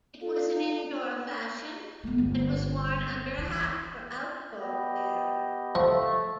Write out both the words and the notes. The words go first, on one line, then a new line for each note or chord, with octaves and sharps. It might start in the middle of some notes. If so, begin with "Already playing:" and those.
It was an indoor fashion, and was worn under a hat for outdoor wear.
F4 A4
A3 B3
G1 G3
E3
B3 G4 D#5
F3 A3